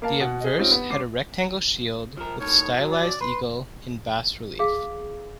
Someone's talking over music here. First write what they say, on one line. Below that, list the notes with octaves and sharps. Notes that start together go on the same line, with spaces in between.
The obverse had a rectangle shield with stylised eagle in bas-relief.
A#3 A#4 F5 A5
B2 F#5
G#4 D#5
G#2 C4 C#4 D#4 F4 G4
B3
C#2 C#4 D6 C7
F3 A#4
A2 D#3 C#5
B1 F#3
D5
B4 C6
G#4 F5